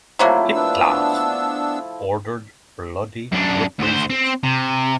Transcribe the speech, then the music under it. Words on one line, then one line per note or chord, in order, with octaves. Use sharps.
Hitler ordered bloody reprisals.
C3 F3 F#3 A3 A#3 E4
B3 D4 E6
F#2 D4
D2 C5
C4
C3